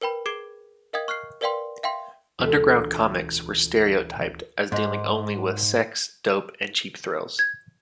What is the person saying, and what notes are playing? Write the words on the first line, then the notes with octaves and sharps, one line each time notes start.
Underground comics were stereotyped as dealing only with sex, dope and cheap thrills.
A#4 B4 G5 B5
G#4 D6 G#6 C7 D7 G7
A#4 D#5 F5 G5 D#6 G#6
C#6 F6 F#6 C7
A#4 B4 D5 F5 G5 C6
E5 F5 G5 C6
E1 D2 G#3 F4 A4 B6
G#2
G#6